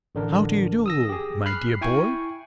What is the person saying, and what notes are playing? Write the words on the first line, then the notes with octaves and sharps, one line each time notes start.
How do you do, my dear boy?
A1 D3 D4 A#4
D#6 E6 A#6
G4 G#4
B5 F6 F#6 C7
E4 G5 G#5 C#6